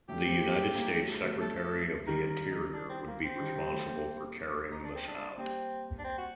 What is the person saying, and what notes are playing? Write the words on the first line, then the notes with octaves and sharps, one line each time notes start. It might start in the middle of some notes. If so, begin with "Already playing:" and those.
The United States Secretary of the Interior would be responsible for carrying this out.
F#3 A3 G4
A3 C4
G3 A#3
A3 C4
G3 A#3
F#3 A3
F#3 A3
F#3 A3
G3
F#3 A3 A4
D#3 G3 A#4
A#4
D#4
D4
C4
A#3
C4
D#3 G3
D#3 G3
F#3 A3
G3 A#3
D#4
D4
C4
D4
G3 A#3 C4
D4
C4
F#4